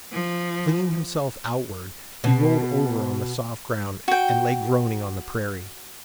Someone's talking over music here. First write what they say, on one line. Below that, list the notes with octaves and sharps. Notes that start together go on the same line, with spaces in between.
Flinging himself outward, he rolled over on the soft ground, and lay groaning on the prairie.
F3
B2
F#4 G5